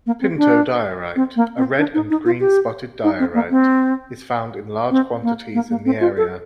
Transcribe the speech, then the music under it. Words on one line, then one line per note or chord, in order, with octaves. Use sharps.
Pinto diorite, a red-and-green spotted diorite, is found in large quantities in the area.
A#3
C4
D4
C4
A#3
C4
D4
D#4
D#4
F4
G4
D#4
C4
A#3
C4
C4
A#3
A#3
A#3
C4
F4
A4